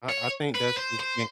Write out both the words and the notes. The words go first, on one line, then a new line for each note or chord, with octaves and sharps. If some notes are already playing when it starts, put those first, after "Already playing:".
I I think that's just in
C#5
B4
C5
C5